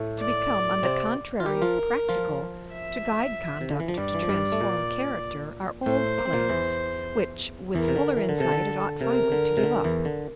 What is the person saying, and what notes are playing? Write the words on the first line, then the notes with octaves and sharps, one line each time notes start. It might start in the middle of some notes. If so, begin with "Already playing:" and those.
To become, on the contrary, practical, to guide conduct, to transform character, are old claims, which with fuller insight it ought finally to give up.
Already playing: A2 A3
D5
C3 C4
F4
G3 G4 A#4
F3 F4
F3 F4
E5
C3
D3
E3
F3
G2 G3 D5
E3
F3
G2 G3
A3
A#2 A#3
A2 A3 C5
A#3
C4
A#2 A#3
E2 E3
E2 E3 A#4
C3
D3
E3
D3
C3 A4
D3
C3 A#4
D3
C3
D3
E2 E3
D3